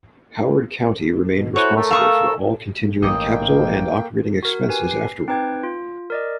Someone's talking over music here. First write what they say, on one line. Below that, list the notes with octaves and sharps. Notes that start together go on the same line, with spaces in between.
Howard County remained responsible for all continuing capitol and operating expenses afterward.
B2
E4 F#4 A4 C5 C#5
A3 A4 A#4
F5 C#6 D#6 E6
A1 G#2 A#3 D#5 G5 D#6
F#4 A#4
G4 B4 G#5
C7
C4 D#4 B4 G5 G#6
F4
A#4 D5 D#5